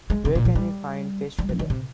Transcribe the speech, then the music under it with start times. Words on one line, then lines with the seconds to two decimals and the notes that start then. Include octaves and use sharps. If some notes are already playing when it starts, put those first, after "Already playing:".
Where can we find fish fillet?
0.10 G#3
0.25 C3
0.35 A#2
0.45 F3
0.56 G3
1.39 G3
1.49 F3
1.59 D#3
1.70 C3